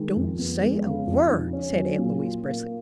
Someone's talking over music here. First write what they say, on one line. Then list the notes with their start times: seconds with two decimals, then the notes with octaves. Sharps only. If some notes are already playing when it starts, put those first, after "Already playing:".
"Don't say a word," said aunt Louise, briskly.
Already playing: D#3 G#3
0.16 F2
0.39 B3
0.62 G#3
0.84 C#3
1.07 F2
1.30 D#4
1.53 C#4
1.76 F#3
1.99 A#2
2.21 F4
2.44 A#3